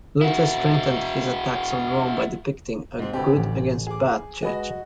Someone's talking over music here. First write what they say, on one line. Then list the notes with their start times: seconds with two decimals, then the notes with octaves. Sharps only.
Luther strengthened his attacks on Rome by depicting a "good" against "bad" church.
0.21 E4 F#4
2.99 G#2 C4
3.13 D2 C4 G4 A4 B4
3.37 A1
3.87 G#4 D6
4.42 G#3 F#4 B4 D#5